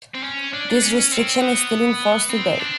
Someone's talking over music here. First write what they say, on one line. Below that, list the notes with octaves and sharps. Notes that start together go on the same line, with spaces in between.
This restriction is still in force today.
C4
C#4
D4
D4
C#4
C4
B3
C4
D4